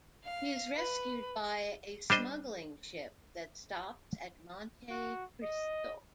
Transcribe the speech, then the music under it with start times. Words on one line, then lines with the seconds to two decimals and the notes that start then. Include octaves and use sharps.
He is rescued by a smuggling ship that stops at Monte Cristo.
0.25 F5
0.76 B4
2.10 G3 D4 C5 D#5
4.90 F#4
5.42 D#5